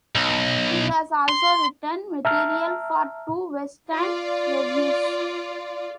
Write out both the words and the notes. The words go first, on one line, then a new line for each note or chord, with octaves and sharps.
He has also written material for two West End revues.
B1
C6
E5 A5 A#5 E6 F6
F4 D5